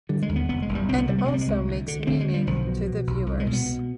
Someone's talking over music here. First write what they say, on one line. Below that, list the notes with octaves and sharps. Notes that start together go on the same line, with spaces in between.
And also makes meaning to the viewers.
D3 G3
G#3
D#2
B3
F1 B3
G#3
F1
G3
C2 C4
B3
C3 G3
B3
C3 G#3
G3
G#3
C2
D2
D3
D3 C4
G#3
D2
G3
B1 F3
B2
B2
B1
C2
G#3
B2
B3
B2